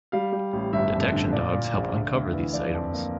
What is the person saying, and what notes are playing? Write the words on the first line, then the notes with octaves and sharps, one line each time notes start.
Detection dogs help uncover these items.
G3 F5
G3
A1
G1 E5
F2
D3
A#2 D5
A#2
A#1
D2
D2
E3
F3 D5
F2
A#3